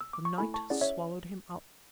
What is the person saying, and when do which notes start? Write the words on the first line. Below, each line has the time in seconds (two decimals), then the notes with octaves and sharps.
The night swallowed him up.
0.01 E6
0.13 D6
0.25 C#6
0.38 A3 E4 A4 G#5 B5
0.54 A5 C#6
0.70 C#4 E4 G#4 D5 F#5
0.81 C#5 E5